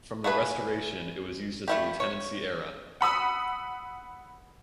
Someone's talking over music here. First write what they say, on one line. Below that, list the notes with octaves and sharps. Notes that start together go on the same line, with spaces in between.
From the Restoration it was used as a Lieutenancy area.
E4 F#4 G#4 B4
A3 E4 G4
C#5
F#5 B5 D#6 E6